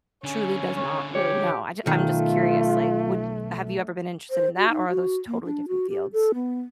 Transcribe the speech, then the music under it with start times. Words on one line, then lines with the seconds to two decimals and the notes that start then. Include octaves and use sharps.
truly does not really know, I ju I'm just curious, like, would have you ever been interested in that, or are those totally different fields?
0.24 D3 C#4 G#4
0.77 C#5
1.15 G4 C#5
1.86 B1 D#3 A3 F4
4.30 C5
4.56 F#4
4.69 D#4
4.89 F#4
5.27 A#3
5.45 D4
5.68 F#4
5.89 G4
6.13 A4
6.34 B3